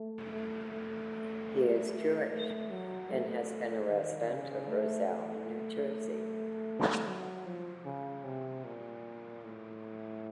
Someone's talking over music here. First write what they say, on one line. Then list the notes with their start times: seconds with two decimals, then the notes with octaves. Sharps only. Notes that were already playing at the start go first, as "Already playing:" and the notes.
He is Jewish and has been a resident of Roselle, New Jersey.
Already playing: A3
0.32 A3
0.72 A3
2.30 A3
2.70 F#3
3.10 A3
3.89 D#3
4.29 C#3
4.68 A3
5.08 A3
7.06 F#3
7.46 F3
7.85 C#3
8.24 C3
8.64 A#2
9.44 A2